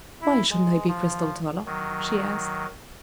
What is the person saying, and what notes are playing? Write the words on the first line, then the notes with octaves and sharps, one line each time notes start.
"Why shouldn't I be Cristel Toller?" she asked.
E4
G#3
F3
D#3 F#3